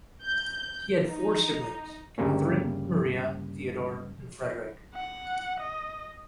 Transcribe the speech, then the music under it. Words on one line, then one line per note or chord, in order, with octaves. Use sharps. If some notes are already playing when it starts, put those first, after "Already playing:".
He had four siblings: Catharine, Maria, Theodore, and Frederick.
G6
D#4
D2 G2 C#3 G3 A#3 C#4
F#5
D#5